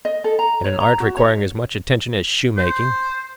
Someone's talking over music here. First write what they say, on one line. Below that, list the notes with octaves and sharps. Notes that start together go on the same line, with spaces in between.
And an art requiring as much attention as shoemaking?
D#5
A4
A#5
C#5
A#5
F#4
C#5
C5